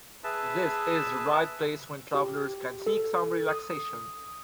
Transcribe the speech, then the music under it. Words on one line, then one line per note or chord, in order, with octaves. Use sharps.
This is the right place when travelers can seek some relaxation.
G#4 B4 E5 A5
G4
A4
D#6